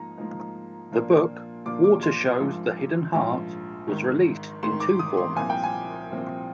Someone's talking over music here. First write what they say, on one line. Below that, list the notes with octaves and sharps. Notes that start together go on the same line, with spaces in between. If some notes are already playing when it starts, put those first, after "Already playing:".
The book "Water Shows the Hidden Heart" was released in two formats.
Already playing: G#2 F3 A#3 D#4 A#5
G#2 F3 A#3 D#4
A#2 F3 A#3 D4 F4
A#2 F3 A#3 D4 F4 D6
D6
C6
A#1 G#2 F3
A#1 G#2 F3
G#1 G#2 D#3
G#1 G#2 D#3 C6
D6
D#6
C6
C2 A#2 F3 C4 G#5
G5
G#5
C2 A#2 F3 C4